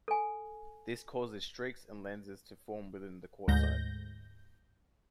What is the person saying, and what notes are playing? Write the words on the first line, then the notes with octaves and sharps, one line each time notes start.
This causes streaks and lenses to form within the quartzite.
A4 G#5
D2 G#2 G6 A#6